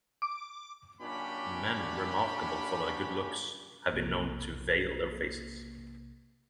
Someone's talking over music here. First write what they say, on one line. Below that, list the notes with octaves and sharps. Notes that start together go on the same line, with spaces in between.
Men remarkable for their good looks have been known to veil their faces.
D6
F#2 A#2 C#4 D4 G4 B5
B1 C3 A#3